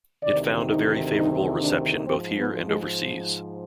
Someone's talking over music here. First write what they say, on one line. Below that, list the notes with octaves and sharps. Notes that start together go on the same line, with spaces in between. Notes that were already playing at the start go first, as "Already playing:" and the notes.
It found a very favourable reception both here and overseas.
D2 C3 D#3 D5
D#4
D#4
D4
G#2 F3 C4
B3
G#3